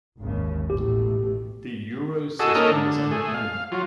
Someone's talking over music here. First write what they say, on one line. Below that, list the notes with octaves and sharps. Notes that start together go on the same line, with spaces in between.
The Eurosystem is independent.
G#1 D#2 C#3
A1 B2 A3 G4
F#4 G#4 A4 D#5 E6
A#3 C#4 D#4 A4 A#4 D#5
D3
A3 G#4
F5
F#3 F4